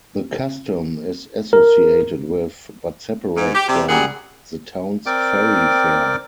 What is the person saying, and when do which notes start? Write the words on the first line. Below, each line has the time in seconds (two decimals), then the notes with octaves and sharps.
The custom is associated with, but separate from, the town's Ferry Fair.
1.53 A#4
3.36 G#2
3.55 G4
3.68 C3 G3
3.88 F#2 A#2 G3 G#4 F#5
5.06 C4 A#4 D5 G5 D6